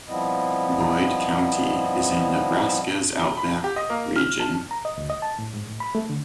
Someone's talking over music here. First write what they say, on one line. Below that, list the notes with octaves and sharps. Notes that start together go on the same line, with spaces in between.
Boyd County is in Nebraska's Outback region.
F3 G3 B3 C4 E4 D#5
G7
B5
G4
D#5
A#3
F6
A5
A#5
D#5
D2
D#5
A5
A2
G#2
A2
B5
A3
D3